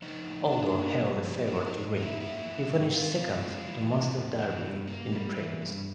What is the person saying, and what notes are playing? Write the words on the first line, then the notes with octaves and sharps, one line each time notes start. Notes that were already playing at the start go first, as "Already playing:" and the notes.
Although heavily favored to win, he finished second to Master Derby in the Preakness.
F3 D#4 D#5
A2
D4
A#3
F3
A2
F3 E4 E5
D#4 D#5
G#2
D#4
E4 E5
A#3 E4 E5
F3
G#2
C3 F4 F5
F2
G#3
E3
C3
F2
E3
G2
A#3
G3
E3
G2